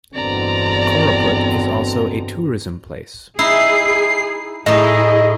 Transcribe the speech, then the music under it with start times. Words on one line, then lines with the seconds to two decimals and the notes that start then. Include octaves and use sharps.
Koraput is also a Tourism Place.
0.14 G1 E2 G2 B2 D3 C4 D5 A#5
3.39 D#4 E4 G#4 C7
4.66 A2 D#4 E4 G#4 D#5